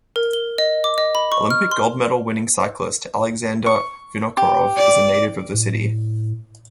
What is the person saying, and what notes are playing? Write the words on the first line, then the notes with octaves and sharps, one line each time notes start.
Olympic gold medal winning cyclist Alexander Vinokourov is a native of the city.
A#4
G7
D#5
D6
D#5
B5
C#6
F6
C6
C#6
G4
D5
A2